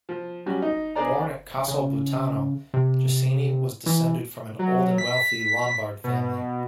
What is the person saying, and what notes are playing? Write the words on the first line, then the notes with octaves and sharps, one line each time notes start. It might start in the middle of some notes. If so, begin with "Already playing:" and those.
Born at Casalbuttano, Jacini was descended from an old and wealthy Lombard family.
F3
F#3 G3 C#4 F#4
D#4
B3 D4 G#4 C5 D5 A#5
C#3
C3
E3
F#3
B6
B2